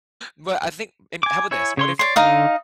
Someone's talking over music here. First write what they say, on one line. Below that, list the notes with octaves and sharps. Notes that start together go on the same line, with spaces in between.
But I think and how about this? What if
G#5 D6
E4 C#5 G#5
C#3 C#5 C6
C#5 D5 C6
D3 D#4 D#5 F5